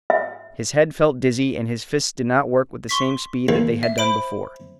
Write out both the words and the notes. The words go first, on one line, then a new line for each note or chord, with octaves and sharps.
His head felt dizzy and his fists did not work with the same speed that they had done before.
E5
C6 C#6 B6
D#2
E5
C5 B5 D7